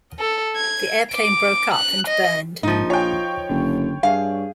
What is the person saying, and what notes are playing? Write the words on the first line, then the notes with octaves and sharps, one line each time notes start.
The airplane broke up and burned.
A4
G#6
D6
F#6
D#5
A#1 G#2 F3 D#4
F4 C#5 G5
F#1 D3
G2 G#4 F5